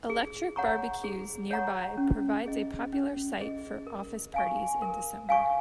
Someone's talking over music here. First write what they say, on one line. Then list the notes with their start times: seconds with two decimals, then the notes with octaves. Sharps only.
Electric barbecues nearby provides a popular site for office parties in December.
0.10 G#4
0.56 C#5 F#5 A#5 C#6
1.04 G#4
1.51 C#5 F#5 A#5 C#6
1.98 C#4
2.46 G#4 D#5
2.93 C#4
3.40 G#4 D#5
3.87 A#4
4.34 F5 G#5 C#6
4.82 A#4
5.29 F5 G#5 C#6